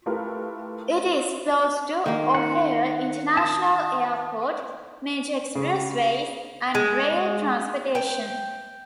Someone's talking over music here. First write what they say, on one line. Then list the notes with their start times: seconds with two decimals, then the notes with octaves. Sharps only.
It is close to O'Hare International Airport, major expressways, and rail transportation.
0.06 A3 E4 F4 G4 A#4 B4
2.06 D#3 A#3
2.35 F#5
3.37 A5 D#6
5.55 C#3
6.75 G#3
7.95 G5